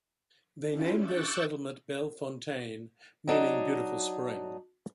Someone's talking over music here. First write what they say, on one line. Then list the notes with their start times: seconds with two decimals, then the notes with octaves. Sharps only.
They named their settlement Bellefontaine, meaning 'beautiful spring.
0.68 C#4 D4 E4 F4 G4
0.99 C#6 D6 E6 F#6 G6 A6
3.28 F#3 D4 D#4